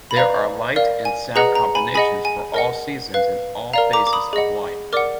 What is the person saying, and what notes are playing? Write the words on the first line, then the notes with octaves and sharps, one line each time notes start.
There are light and sound combinations for all seasons and all phases of life.
B5
B4 D5 F5 A#5
A#4 D5 F5
G#5
G#4 B4 D#5 F#5 A#5
A#5
G#5 B5
G#4 D#5 F#5 G#5 B5
G#5
A#4 D#5 F#5
B4 F5
A#4 D5 F5 A#5
A#5 D6
D6
B5 D#6
G#4 D#5 F#5
A#4 D5 F#5 D6 F6